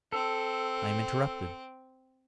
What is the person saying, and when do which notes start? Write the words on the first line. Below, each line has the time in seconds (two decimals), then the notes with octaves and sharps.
I am interrupted.
0.12 C4 A4